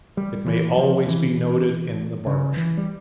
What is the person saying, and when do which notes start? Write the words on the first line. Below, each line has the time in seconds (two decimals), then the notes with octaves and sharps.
It may always be noted in the barber shops.
0.17 G3
0.46 E3
0.77 F3
1.07 E3
2.27 C#3
2.57 E3
2.77 G3